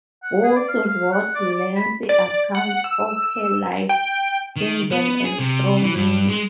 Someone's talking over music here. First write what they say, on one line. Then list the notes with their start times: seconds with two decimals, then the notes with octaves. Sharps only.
Both wrote lengthy accounts of her life, kingdom, and strong will.
0.23 F#5
0.44 G#4
0.56 D5
0.68 F5
0.87 F5
1.12 F#5
1.35 D5
1.52 D5
1.76 B5
2.09 D5
2.55 F#5
2.84 E6
3.89 G5
4.56 D#3
4.91 B3
5.25 G#4
5.40 C3
5.81 E3
5.95 G2
6.29 G#3